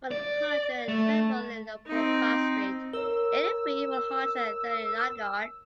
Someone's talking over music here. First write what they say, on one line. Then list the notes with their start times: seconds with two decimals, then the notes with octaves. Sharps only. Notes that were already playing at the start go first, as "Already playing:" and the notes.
One hundred and twenty-four Léo Poupart street, eighty-three, one hundred and thirty, La Garde.
0.11 D5
0.89 A3
1.86 C4 D#4
2.93 A#4 C#5 E6